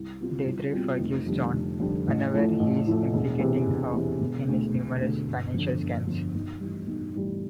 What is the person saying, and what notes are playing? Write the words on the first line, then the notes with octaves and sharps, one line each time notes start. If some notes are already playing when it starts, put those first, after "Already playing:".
Deirdre forgives Jon, unaware he is implicating her in his numerous financial scams.
Already playing: C2
B2 G3 C4 F4
C2
B2 G3 C4 F4
F1
F2 D3 G3
F1
F2 D3 G3
A1
A2 F3 A3
A1
A2 F3 A3
E1
E2 C3
E1
E2 C3
E1
D2 D3
E1
D2 D3
G1
F2 D3
G1
F2 D3
B1
A2 E3 G3
B1
A2 E3 G3